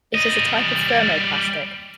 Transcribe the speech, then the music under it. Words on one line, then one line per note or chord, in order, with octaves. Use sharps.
It is a type of thermoplastic.
G3 D#5